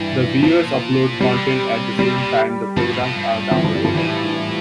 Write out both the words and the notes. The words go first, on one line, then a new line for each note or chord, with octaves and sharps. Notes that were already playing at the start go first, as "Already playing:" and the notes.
The viewers upload content at the same time the programs are downloaded and viewed.
Already playing: G2 E3
A#2 F3
A#2 G3
D3
C3
C3 G3
A#2
G2 F3
A2
A2
G2
F3
E3
F3
G3
F3
A2 E3